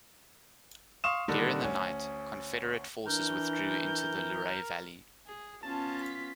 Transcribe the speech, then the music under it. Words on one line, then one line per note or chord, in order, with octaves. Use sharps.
During the night, Confederate forces withdrew into the Luray Valley.
F5 C6 C#6 D#6 E7
A#2 D3 D#3 G3
D2 C#4
E3 D4 A#4 G6
G#4
B3 C#4 F4 A5
B6